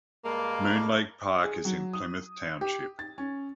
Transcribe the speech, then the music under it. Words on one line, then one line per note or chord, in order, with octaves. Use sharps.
Moon Lake Park is in Plymouth Township.
G2 G#3 A#3
G#4
F#3
D#6
G4
A6
C#4